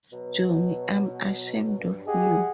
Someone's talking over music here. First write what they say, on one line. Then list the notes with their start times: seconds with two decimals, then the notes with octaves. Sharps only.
Jonny, I'm ashamed of you!
0.13 B2 F#3
1.78 G2
2.07 G4 G#4 D#5 F#5